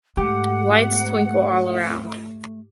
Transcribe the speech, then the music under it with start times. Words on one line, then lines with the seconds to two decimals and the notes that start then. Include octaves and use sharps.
Lights twinkle all around.
0.17 G#2 A3 G4 F#5